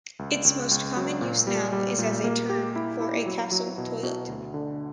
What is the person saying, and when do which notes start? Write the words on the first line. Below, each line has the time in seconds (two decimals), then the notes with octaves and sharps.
Its most common use now is as a term for a castle toilet.
0.19 C#2
0.44 C#2
0.71 C#2
0.97 F#3
1.21 A#2
1.47 G3
1.72 G3
1.99 A#2
2.24 A#3
2.50 G4
2.76 E4
3.00 E4
3.26 F#3
3.51 F#3
3.78 B2
4.03 B2
4.28 D2
4.54 D3